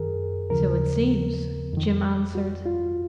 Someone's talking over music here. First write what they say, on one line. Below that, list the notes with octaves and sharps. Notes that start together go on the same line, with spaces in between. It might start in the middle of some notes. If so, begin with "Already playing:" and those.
"So it seems," Jim answered.
Already playing: F#2 D#3 G#4 A#4
D#2 C#3 F3 A#4
F2 D#3
F#4
F4